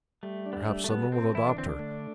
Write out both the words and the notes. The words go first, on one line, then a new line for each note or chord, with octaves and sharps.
Perhaps some one will adopt her.
G3 A3
D4
B3
A3
G3
A3
B3 A4
C4 A4
E3 E4
D4
D3 C4
D4
A3